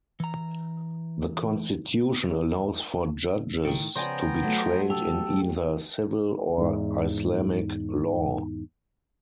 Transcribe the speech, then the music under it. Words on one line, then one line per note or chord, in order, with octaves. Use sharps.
The constitution allows for judges to be trained in either civil or Islamic law.
E3 A#5
A2 D#3 G5
C#3 F3 B3 C5 D5 G5 G#5 A#5
F#3 A3
G4 A4
E2 G#2